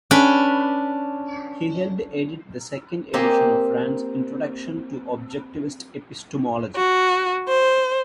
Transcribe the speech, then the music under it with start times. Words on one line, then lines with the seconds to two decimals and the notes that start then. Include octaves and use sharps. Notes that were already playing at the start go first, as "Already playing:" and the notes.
He helped edit the second edition of Rand's "Introduction to Objectivist Epistemology".
0.11 C#4 D4 B4
3.13 A#3 C4 G4 D#5 G#5
6.77 F#4
7.49 C5